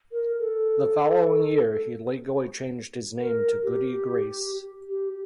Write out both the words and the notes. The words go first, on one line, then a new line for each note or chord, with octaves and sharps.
The following year he legally changed his name to Goody Grace.
A#4
A4
A#4
G4
G4